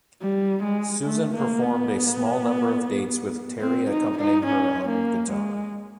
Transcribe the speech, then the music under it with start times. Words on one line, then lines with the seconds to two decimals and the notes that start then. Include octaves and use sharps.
Susan performed a small number of dates with Terry accompanying her on guitar.
0.22 G3
0.64 G#3
1.06 A3
1.35 A#3
1.63 B3
3.61 C4
3.90 D#4
4.18 D#4
4.46 C#4
4.89 A#3
5.31 G#3